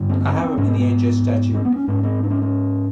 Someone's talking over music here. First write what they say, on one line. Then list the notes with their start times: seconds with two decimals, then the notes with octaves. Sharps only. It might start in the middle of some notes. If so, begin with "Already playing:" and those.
I have a miniature statue.
Already playing: G2 D3
0.09 C4
0.20 B3
0.25 C4
0.42 C4
0.57 G#2 C#4
0.68 C4
0.80 B3
1.55 C4
1.65 B3
1.76 C#4
1.87 G#2 C#4
2.03 C4
2.23 D4
2.30 C#4
2.42 C#4